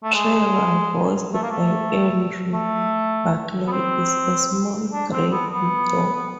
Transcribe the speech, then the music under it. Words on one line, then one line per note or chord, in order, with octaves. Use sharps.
Trevor, voiced by Andrew Barclay, is a small, grey bulldog.
A3
G#3
A3
A#3
A3
A3
B3
C4
D4
C4
B3
B3